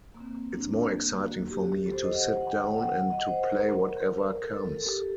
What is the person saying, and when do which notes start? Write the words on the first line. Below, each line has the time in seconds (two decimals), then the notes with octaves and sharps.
It's more exciting for me to sit down and to play whatever comes.
0.14 A#3
0.20 C4
0.53 D4
0.85 A#3
1.18 F#4
1.50 G4
1.83 A4
1.93 C5
2.04 D#5
2.15 F#5
2.41 F#5
2.48 G5
2.79 F#5
3.12 D#5
3.29 C5
3.44 A#4
4.42 A4
4.74 A4
4.85 G4
4.95 A4